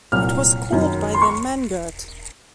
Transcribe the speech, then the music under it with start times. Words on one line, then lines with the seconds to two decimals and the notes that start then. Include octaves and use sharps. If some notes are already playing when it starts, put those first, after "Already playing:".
It was called by them "mangurt".
0.12 C2 A#2 F#3 F6
0.71 F#1 F#2 D#3 F#3
1.14 C6
1.22 C#6